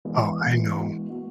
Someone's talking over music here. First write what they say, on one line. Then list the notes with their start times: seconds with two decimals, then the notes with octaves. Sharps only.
Oh, I know.
0.05 E3 G#3 B3
0.39 E3 G#3 B3
0.74 G#3 B3 F#4
1.09 G#3 B3 F#4